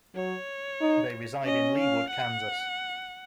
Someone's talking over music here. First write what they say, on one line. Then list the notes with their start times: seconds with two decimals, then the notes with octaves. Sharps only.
They reside in Leawood, Kansas.
0.15 F#3 C#5
0.81 D#4
1.45 C#4 D#5
1.79 F5
2.11 F#5